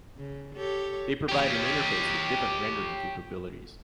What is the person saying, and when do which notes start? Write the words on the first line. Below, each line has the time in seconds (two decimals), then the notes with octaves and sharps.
They provide an interface with different rendering capabilities.
0.17 C#3
0.56 G4 A4 C#5
1.29 G4 C#5